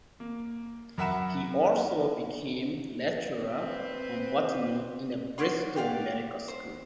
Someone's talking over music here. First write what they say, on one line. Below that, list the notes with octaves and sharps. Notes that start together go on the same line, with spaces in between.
He also became lecturer on botany in the Bristol medical school.
A#3
F#2 A#4 E5 F#5 B5 E7
C4 B4
C#5 D5 F#5 C6
G4 D5 F5 F#5
C5